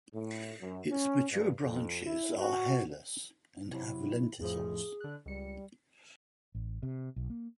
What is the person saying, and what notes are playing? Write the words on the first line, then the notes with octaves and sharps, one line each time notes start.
Its mature branches are hairless and have lenticels.
A2
F#2
C#4
G2
F2
E4
F#4
C3 F#3 E4
F2 A2 F3 G#4
D3 F#6
C#2 G3 C#7
A1
C3
B1
A#3